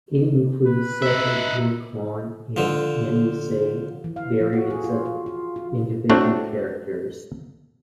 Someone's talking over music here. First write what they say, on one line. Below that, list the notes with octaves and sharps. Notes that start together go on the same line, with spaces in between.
It includes separate "Orkhon" and "Yenisei" variants of individual characters.
B4
D#4 E5
D3 F3
E3
F5
F3
F#4
G#4
F4
F4
F4
F4
A3 C4 D4 F#4 C#5 F#5